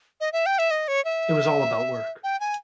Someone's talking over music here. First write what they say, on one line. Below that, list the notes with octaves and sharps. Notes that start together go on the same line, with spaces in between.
It was all about work.
D#5
E5
G5
E5
D#5
C#5
E5
G5
G#5